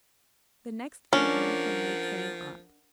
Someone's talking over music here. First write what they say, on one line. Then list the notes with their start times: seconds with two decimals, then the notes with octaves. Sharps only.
The next evening Henry came up.
1.13 F3 C#4 D4 A#4 F#5